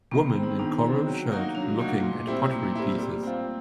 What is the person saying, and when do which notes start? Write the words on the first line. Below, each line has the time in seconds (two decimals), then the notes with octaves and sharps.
Woman in coral shirt looking at pottery pieces.
0.11 D#3 B3
0.35 G#3 C4
0.43 D#4
0.59 D#3 D4
0.84 G#3 C4
1.07 F#3
1.31 A#3 D#4 F#4
1.55 F#3 D4
1.79 A3 A#3 D#4 F#4
2.03 A#2
2.27 G3 C4 E4
2.51 A#2 A#3
2.75 G3 C4 E4
2.99 G3
3.23 C4 F4